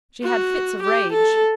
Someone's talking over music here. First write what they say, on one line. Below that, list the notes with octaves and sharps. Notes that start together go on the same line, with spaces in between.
She had fits of rage.
F#4
G4
A4